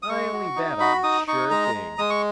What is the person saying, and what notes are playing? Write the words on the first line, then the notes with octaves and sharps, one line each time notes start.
"I only bet on sure things."
D#6
G#3 C#6
F#4
D#4
F#4 B5
D#4 D#6
D#4 C#6
G#3 A#5
G#3
G#3 D#6
C#6